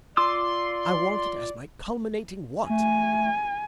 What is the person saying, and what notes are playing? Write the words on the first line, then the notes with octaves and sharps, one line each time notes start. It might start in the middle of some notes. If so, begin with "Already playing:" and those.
I want it as my culminating want.
F4 D5 C6 D6 E6
A3 G#5